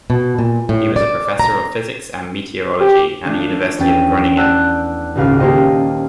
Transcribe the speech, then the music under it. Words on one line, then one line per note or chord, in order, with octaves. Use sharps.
He was a Professor of Physics and Meteorology at the University of Groningen.
B2
A#2
A2
D5
A#5
G4
F3 A3 D4
E2 C#4 G5 A6 B6 D#7
D5 F#5 A5 E6 F#6 G6
D#1 G#1 C#2 F5 F6
A#3 G4 A4 C5 D#5 G5